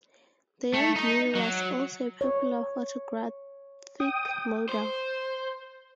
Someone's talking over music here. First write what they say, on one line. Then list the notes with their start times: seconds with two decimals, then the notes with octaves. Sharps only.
The young beauty was also a popular photographic model.
0.74 A3
0.96 D#4
1.35 F#3
2.21 C#5
4.00 G5 D#6
4.69 C5